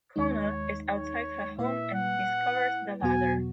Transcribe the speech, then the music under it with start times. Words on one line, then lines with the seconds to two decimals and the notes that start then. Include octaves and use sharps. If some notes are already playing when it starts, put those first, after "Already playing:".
Corner is outside her home and discovers the ladder.
0.16 D#2 D#3 G#3 D#4 C#5
0.88 C#5
1.58 A#2 A#3 E4 B4 E5
1.94 F#5
3.02 E2 B2 F#3 B3 F#4 G#5